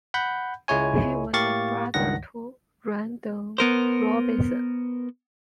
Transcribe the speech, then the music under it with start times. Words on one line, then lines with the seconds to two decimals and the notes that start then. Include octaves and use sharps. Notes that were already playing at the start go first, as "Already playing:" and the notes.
He was a brother to Randall Robinson.
0.14 F#5 B5 G6
0.68 C#2 G#3 E4 C#5 G#5
1.33 A2 A#3 G4 F5 C#6 A6
1.94 C#2 G2 D#3 F#5 A#6
3.58 B3 A#4 C5